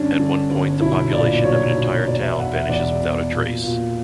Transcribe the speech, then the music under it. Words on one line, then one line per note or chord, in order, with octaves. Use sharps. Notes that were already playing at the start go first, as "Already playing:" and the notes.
At one point, the population of an entire town vanishes without a trace.
Already playing: G1 G2 C#4 D4
D3
G1
B1 E4
A#2 D5
B1 C#5
B1
E2 D5
E5
E2 F#5
E5
E1 D5
B2
A#2
A#2